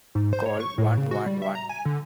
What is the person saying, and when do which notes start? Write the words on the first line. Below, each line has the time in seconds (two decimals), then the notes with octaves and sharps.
Call one one one.
0.15 G#2
0.33 C5
0.46 C#5
0.60 C#6
0.78 A2
0.97 C#3
1.11 F#4
1.26 G3
1.42 E5
1.55 A#5
1.69 G#5
1.85 D3